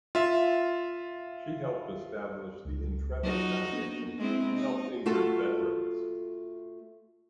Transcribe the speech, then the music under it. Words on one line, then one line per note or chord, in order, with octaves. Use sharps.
She helped establish the Intrepid Foundation to help injured veterans.
F4 E5
C#2
F#3 D#4 F4 F#4
A#3 B3 D4
G#3 C4 E4
D#4
A3 F4 F#4 A4